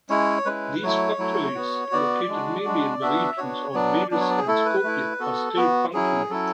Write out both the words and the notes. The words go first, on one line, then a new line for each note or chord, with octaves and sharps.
These factories, located mainly in the regions of Veles and Skopje are still functioning.
G#3 C#4 E4 C#5
G#3 C#4 E4 B4
F#3 A3 E4 C#5
F#3 A3 E4
B3 F#4
B3 F#4 D5
G#3 D4 F#4
G#3 D4 F#4
B3 D4 F#4 E5
B3 D4 F#4 C#5
F#3 B3 D4 D5
F#3 B3 D4 D5
C#5
D5
G#4
A3 E4 A4
B4
A3 E4
B3 F#4 A4
B3 F#4
F#3 C#4 E4 G#4
F#3 C#4 E4 A4